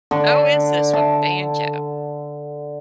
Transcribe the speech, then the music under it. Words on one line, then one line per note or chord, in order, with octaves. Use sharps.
How is this with banjo?
D3
A5